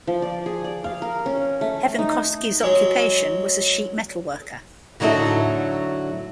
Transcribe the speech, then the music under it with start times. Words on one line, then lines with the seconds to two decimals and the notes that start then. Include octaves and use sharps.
Hevonkoski's occupation was a sheet-metal worker.
0.07 F3
0.22 D5
0.46 G#4
0.64 D5
0.84 F5
1.02 A#4
1.26 C#4
1.61 A3
1.99 D#4
2.63 F#3 G#3
5.00 A2 D3 F#3 D#4 E4 A4